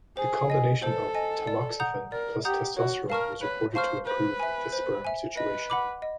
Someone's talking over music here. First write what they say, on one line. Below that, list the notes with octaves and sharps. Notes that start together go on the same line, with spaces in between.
The combination of tamoxifen plus testosterone was reported to improve the sperm situation.
G#4 C5
D#5 G#5
A4 C5
D#5 G#5
D5
F#5 A#5 D#6 G6
A#4 D5
G4 F#5 A#5 D#6 G6
F#4 C#5
A#4 F5 A5 C#6 F6
B4 C#5
C5 F5 A5 C#6 F6
B4 C5
E5 G#5
C5
E5 G#5
B4 D#5
F#5 B5 D6
D#5